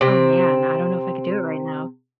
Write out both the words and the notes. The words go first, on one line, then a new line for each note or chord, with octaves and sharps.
Oh, man, I don't know if I could do it right now.
C3 C4